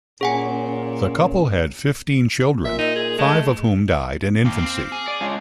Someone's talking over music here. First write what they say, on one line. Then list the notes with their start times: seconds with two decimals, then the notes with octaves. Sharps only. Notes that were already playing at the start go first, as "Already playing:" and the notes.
The couple had fifteen children, five of whom died in infancy.
0.21 A#2 C#4 G#4 F#5 G#5
2.65 A#2 E5
2.79 D#4
2.96 G#4
3.18 G#3 A3
4.45 D#2 F5 D6
4.59 C4
4.92 G#4
5.08 D5
5.21 G#3 C#4 D4 F4